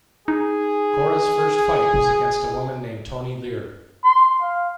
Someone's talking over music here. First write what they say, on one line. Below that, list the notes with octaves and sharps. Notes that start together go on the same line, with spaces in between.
Cora's first fight was against a woman named Toni Lear.
D#4 G#4
F1
C6
F5